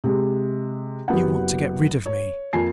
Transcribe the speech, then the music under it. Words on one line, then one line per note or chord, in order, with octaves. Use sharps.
'You want to get rid of me!
C3 G#3
F#1 F#3 B3 G4 F#5
C#5
F2 A#3 G#5 C7